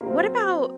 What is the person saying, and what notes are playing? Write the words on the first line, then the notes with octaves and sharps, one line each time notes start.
what about
A#3
F#3 C4